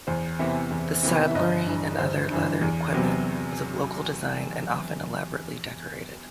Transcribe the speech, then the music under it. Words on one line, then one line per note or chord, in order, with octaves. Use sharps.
The saddlery and other leather equipment was of local design and often elaborately decorated.
E2 C5
C3 E3 B3 E5
E2
C3 E3 B3
E5
G1 D#5
G2 E3
G1 C5
G2 E3
E2
C3 F#3 B3